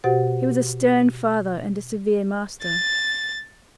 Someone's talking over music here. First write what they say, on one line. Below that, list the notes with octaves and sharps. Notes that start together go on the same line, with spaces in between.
He was a stern father and a severe master.
B2 F#4 G4 C5 F#5 A6
A6